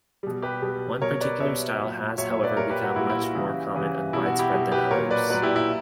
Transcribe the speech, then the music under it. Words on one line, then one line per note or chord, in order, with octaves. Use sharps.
One particular style has, however, become much more common and widespread than others.
B2 G3
G4 B4
B2 G3
B2 G3 A#4 C#5
B4 D5
B2 G3 C#5 E5
A#2 F#3
A#2 F#3 C#5 E5
C#5 E5
B4 D5
A#2 G3 A#4 C#5
G4 B4
F#4
A#2 G3 E4
E4
F#4
C#3 E3 G3
C#3 E3 G3
B2 G3 E4
F#4
E4 G4
B2 G3
G4 B4
A#2 F#3 A#4 C#5
B4 D5
A#2 F#3 B4 D5
E4 G4
E4